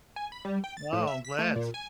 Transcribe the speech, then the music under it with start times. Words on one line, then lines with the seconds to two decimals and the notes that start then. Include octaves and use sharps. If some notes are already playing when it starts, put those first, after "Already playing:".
Wow, I'm glad.
0.16 G#5
0.32 B5
0.45 G3
0.64 G5
0.77 A6
0.93 A2
1.07 E5
1.25 B6
1.39 A3
1.56 A#2
1.74 G#5